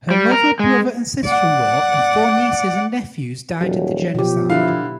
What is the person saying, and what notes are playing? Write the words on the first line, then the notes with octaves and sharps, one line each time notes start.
Her mother, brother and sister-in-law, and four nieces and nephews died in the genocide.
G3
A#4
G#3
D5 F#5
D#1 F#3
B2 F3 G4
D3 E4 F5